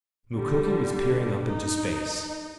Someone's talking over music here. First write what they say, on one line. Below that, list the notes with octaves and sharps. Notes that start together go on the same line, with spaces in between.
Mukoki was peering up into space.
D3 G3
D#4